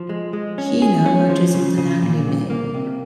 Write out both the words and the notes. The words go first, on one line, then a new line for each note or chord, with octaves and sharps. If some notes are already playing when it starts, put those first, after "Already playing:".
Heanor merges into Langley Mill.
Already playing: F3
G#3
G#3
C#4
G#4
C#4
F3
C#3
C#3
A#2
C2
A#3
C3